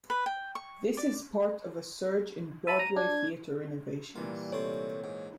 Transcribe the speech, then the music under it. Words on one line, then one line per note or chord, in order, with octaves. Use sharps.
This is part of a surge in Broadway theatre renovations.
B4
G5
C#6
D5
E5 A5 B5 D#7
A#5
D4 G#6
A#2 E3 G3 A#3 F4
C3 A3 C#5 C6
G#2